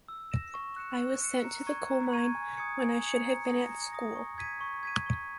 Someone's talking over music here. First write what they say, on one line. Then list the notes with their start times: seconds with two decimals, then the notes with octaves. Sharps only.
I was sent to the coal mine when I should have been at school.
0.08 E6
0.32 A#6 E7
0.54 C#6
0.76 F#6 C#7 E7
0.99 C#6
1.22 F#6 C#7 E7
1.44 A#5
1.67 C#6 G#6 D#7
1.90 A#5
2.12 C#6 G#6 D#7
2.35 G#5
2.57 D#6 G#6 C#7
2.80 G#5
3.03 D#6 G#6 C#7
3.25 A#5
3.47 D#6 A#6
3.70 A#5
3.93 D#6 A#6
4.16 C#6
4.38 G#6 B6 D#7
4.61 C#6
4.83 G#6 B6 D#7
5.06 C#6